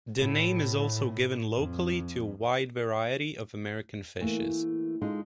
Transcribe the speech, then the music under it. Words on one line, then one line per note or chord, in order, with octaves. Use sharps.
The name is also given locally to a wide variety of American fishes.
A2
F2
E3 A3 A#3
G#3 D#4 F4 A4